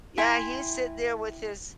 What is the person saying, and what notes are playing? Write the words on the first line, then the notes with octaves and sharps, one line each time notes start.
yeah, he's sit there with his
E4 G5 G#5 C6